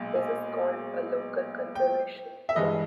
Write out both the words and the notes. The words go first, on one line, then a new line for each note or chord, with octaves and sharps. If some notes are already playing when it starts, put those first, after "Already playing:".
This is called a "local conservation" law.
Already playing: B1 A#2 G#3
G#5
G5
E5
G2 E3 G#3 D#5